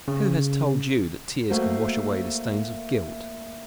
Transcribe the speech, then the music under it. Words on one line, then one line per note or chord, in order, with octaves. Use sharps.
Who has told you that tears can wash away the stains of guilt?
C#3
A3 A#3 F#4 C5